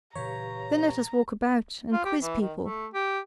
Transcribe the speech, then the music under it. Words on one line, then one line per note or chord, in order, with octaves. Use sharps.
Then let us walk about and quiz people.
A#2 C#3 E3 G4 B4 C#5 F5 A#5
F4
G4
E3
D#3
A3
G4